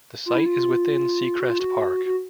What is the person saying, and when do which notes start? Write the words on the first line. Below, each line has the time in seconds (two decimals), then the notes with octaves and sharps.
The site is within Seacrest Park.
0.26 F4
0.35 E4
0.46 F4
1.40 F#4
1.49 F4
1.60 F#4
2.06 F#4